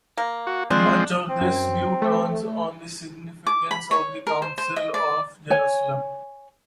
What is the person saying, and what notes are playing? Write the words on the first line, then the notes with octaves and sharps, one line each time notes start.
Much of this view turns on the significance of the Council of Jerusalem.
A#3
F#4
F3 G#3 C4 D4
C4
F#2
A3
D6
B5
C#5
A#4
C5
C5
D#5
D5
C#5 G#5